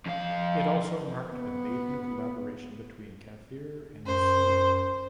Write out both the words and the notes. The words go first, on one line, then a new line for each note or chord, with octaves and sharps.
It also marked the maiden collaboration between Kathir and Soori.
F2 F5
B3
F#2 C5